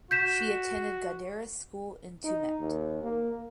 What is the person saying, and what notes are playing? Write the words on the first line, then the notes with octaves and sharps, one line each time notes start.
She attended Gadara School in Tumut.
F#4 G6 B6 E7
D#4
D#2
A#3